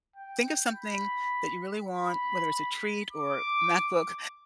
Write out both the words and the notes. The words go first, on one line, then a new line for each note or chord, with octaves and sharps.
Think of something that you really want, whether it's a treat or MacBook,
G5
B5
B5
D6